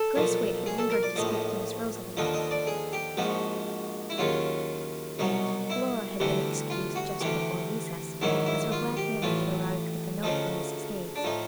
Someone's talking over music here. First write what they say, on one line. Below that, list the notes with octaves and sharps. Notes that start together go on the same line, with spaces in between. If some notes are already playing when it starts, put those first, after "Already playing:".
Grace Waite had lingered to speak to Miss Rosalie; Flora had been excused just before recess, as her black mammy had arrived with a note from Mrs. Hayes.
Already playing: A4
B1 A#2 F3
G#4
A4
A#4
D5
A#1 A2 F3 D#5
D#2 D3 F3 D#5
D#5
D5
G#4
G4
A#1 G#2 F3 F#4
E4
D#2 C#3 F#3 F4
C2 B2 F#3 D#4
E4
D2 C3 E3 G3
F4
F#4
D2 C3 E3 G4
A#1 G#2 D#3 F#3 E4
E4
F4
G4
A1 A2 E3 F4
D2 C#3 F3 D#4
D4
A2 F3 D#4